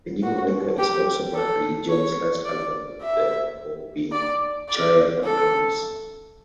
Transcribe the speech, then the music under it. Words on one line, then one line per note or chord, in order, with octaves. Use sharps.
"The New America" is also Bad Religion's last album with Bobby Schayer on drums.
F#4
G4
A4
C#5
D5
E5
D5
D5
A4